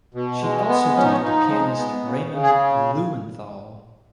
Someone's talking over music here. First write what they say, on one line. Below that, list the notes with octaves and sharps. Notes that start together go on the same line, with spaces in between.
She also taught the pianist Raymond Lewenthal.
B2
G#3
B3
F3 C#4
D#4
C#4
F3 D#4
G#3
B3
C#3
C#3
G#4